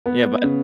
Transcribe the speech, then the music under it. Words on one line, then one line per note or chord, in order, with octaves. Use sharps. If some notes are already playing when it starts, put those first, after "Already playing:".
Yeah, but
B3
C#3